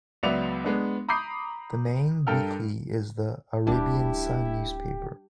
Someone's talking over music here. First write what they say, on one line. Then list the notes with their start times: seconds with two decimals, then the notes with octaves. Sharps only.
The main weekly is the "Arabian Sun " newspaper.
0.23 C#2 F#3 B3 D5 E5 F7
0.65 G#3 B3 D4
1.08 A#5 B5 D6 D#6 G6 C7
2.27 G2 A4 A#4 G5 F6
3.67 D1 G3 C#4 D4 E4 G4